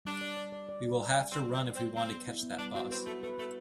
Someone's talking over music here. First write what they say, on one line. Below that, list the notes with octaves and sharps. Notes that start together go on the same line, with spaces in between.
We will have to run if we want to catch that bus.
G3 D4
D5
D5
D5
D5
D5
D5
G3
F#3 C4
B3 C4
F#3
C4
B3
B3 C4
B3
E4
B3
G3 D4
C4 F#4
C4 B4
A3 F#4
A3 B4
A3 F#4